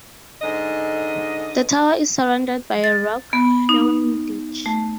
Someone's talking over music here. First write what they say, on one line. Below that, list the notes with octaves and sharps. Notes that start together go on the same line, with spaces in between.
The tower is surrounded by a rock-hewn ditch.
G#2 D3 D#5
A6
B3
D#4
A3